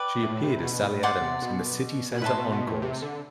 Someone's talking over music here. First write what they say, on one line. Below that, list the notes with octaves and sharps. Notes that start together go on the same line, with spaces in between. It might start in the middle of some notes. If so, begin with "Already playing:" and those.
She appeared as Sally Adams in the City Center Encores!
Already playing: B4 D5 G5 D6
A2
C3
B2
A2
D5 F#5 C6
C3
B2
B2
A2 B4 E5 A5 C6
B2
B2
A2
C3
D3